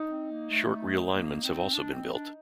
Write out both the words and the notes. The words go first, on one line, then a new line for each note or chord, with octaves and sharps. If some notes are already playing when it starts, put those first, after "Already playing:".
Short realignments have also been built.
Already playing: D#4
C4
A#3
A3
A#3
C4
D4
C4
D4